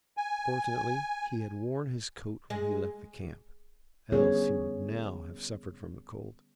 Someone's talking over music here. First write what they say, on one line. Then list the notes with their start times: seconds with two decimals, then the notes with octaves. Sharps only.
Fortunately he had worn his coat when he left the camp, else he would now have suffered from the cold.
0.17 G#5
2.50 G#3
4.12 D3 G3 B3 C#4 G#4 C#5